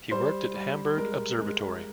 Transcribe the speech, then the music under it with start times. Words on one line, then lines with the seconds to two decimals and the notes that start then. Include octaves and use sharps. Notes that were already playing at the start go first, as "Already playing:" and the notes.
He worked at Hamburg Observatory.
0.11 G3 C5
0.54 G3
0.97 G#3 A#4
1.41 G#3